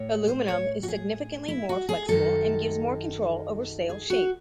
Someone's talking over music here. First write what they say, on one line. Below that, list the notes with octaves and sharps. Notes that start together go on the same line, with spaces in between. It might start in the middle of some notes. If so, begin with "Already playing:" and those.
Aluminum is significantly more flexible and gives more control over sail shape.
Already playing: A2 C#5
C5
C#5
F#4
G#4
E4
F#4
G#4
F#2 D#3 G#3 A4
G#4
F#4